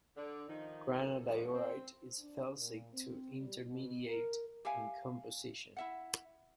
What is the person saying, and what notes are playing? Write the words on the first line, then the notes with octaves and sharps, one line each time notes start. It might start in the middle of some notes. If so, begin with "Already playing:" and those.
Granodiorite is felsic to intermediate in composition.
D3
D#3 F3 D#4
F#2 A4
E2 G#2 B2 D3 F3 A#3
C4
D4
A#2
C4
G3
B2
A#4
G4 E5 F5 G#5
E4 E5 F#5